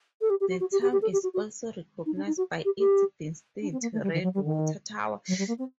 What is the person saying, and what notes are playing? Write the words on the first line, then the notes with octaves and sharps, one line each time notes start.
The town is also recognized by its distinct, red water tower.
A4
G4
G4
F#4
F#4
G4
G4
G4
A4
G4
F#4
F#4
D#4
D4
D#4
F#4
G4
G4
D4
C4
A#3
A3
G3
D#3
F#3
G3
D#3
F#3
G3
A#3
C4